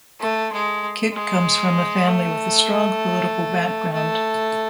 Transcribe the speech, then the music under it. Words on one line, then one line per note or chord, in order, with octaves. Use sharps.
Kitt comes from a family with a strong political background.
A3
G#3
G#3
A3
A3